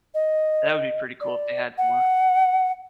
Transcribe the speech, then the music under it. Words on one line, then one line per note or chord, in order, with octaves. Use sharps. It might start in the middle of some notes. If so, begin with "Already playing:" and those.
That would be pretty cool if they had more.
D#5
D5
F#5